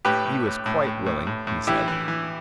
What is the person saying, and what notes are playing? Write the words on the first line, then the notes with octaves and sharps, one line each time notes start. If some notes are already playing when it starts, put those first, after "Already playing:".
He was quite willing, he said.
A2 G4 B4
A2
A2
A2
A2
A2
A2
A2
E3 E4 G4
E3
E3